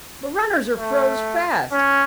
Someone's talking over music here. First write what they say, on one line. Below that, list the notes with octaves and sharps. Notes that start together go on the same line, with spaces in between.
The runners are froze fast.
A3
C#4